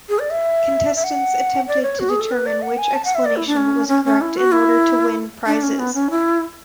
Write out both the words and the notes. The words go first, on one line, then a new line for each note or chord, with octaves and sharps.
Contestants attempted to determine which explanation was correct in order to win prizes.
G#4
D5
E5
E5
F#5
D5
C#5
F#4
G#4
A4
B4
D5
F#5
G#5
A5
F#5
E5
D5
E4
D4
C#4
C#4
C#4
E4
F#4
E4
D4
C#4
B3
C#4
E4